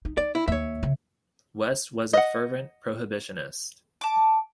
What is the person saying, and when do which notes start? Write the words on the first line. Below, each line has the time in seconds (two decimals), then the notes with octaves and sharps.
West was a fervent prohibitionist.
0.05 D#4
0.17 D#4 D5
0.35 E4
0.48 D#2 C#5 E5
0.83 C#3
2.13 D#5 F#5
4.01 A5 D6